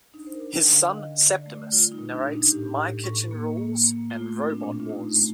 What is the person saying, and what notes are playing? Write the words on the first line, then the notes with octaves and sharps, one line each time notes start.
His son Septimus narrates "My Kitchen Rules" and "Robot Wars".
D4 D#4
C5
A#4
D4
G5
D3
F5
D3 D#5
D3
D5
A3
G3 F4
D#4
A#2
D4
A#2
D#4
A2 G4
A2
A2
A#3
A#3
A#3
A3 F4
C4
D4
A#2
F4
A3 D#4
A3